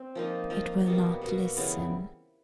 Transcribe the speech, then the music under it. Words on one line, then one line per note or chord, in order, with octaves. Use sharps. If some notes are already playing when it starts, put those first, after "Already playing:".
"It will not listen!"
Already playing: C4
F3 A#3 D#4
F3 A#3 D#4
B2 G3 A#3
B2 G3 A#3
C#3 E3 G3 B3